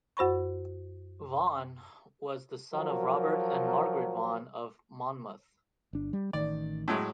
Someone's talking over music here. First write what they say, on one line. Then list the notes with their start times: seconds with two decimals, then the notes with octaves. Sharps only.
Vaughan was the son of Robert and Margaret Vaughan of Monmouth.
0.17 F#2 F#4 C5 B5 C#6
2.72 F3 F#3 A#4
5.93 G1 D4
6.13 G3
6.33 A1 D#3 D5
6.88 A2 F#3 G#3